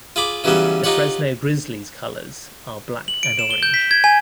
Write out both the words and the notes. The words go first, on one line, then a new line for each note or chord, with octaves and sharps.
The Fresno Grizzlies' colors are black and orange.
F4 G#4 B5 D6
C#3 E3 F#3 G3 B3 C#4
D#4 F4 G4 C#5 F#5
F#7
D7
E7
G7
G6
B6
G#6
G#5